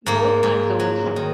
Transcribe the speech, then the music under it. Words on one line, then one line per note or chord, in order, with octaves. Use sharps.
Both are zones.
G#2 A#3
G#2
F#3
D#3